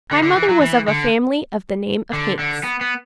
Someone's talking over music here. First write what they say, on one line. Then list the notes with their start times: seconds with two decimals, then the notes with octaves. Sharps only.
My mother was of a family of the name of Hanks.
0.11 D3
0.23 D3
0.36 E3
0.49 F#3
0.62 E3
0.88 D3
2.13 D3
2.39 D3
2.64 B3
2.81 B3